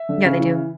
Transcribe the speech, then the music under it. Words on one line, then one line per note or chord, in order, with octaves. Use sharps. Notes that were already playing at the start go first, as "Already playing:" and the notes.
Yeah they do.
Already playing: E5
D3
C#3
E3